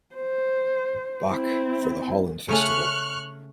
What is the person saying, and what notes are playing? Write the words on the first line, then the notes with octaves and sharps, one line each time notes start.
Bach, for the Holland Festival.
C5
C4 E4
C#3 A3 C#4 C#6 F6 F#6